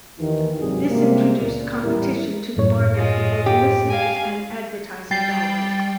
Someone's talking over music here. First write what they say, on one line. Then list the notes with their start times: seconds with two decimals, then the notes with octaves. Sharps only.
This introduced competition to the market for both listeners and advertising dollars.
0.19 D#2 D#3 E3
0.60 G#1 G2 C3 F#3 G3 G#4
0.89 C3 G3 G#3 A#3
1.39 C#2 A#2
1.82 A1 E2 G3 E4 A#4
2.57 F#2 A2 C#5
2.96 G#3 F4
3.46 G4
3.89 F5 G#5
5.11 G3 G5 A6 C7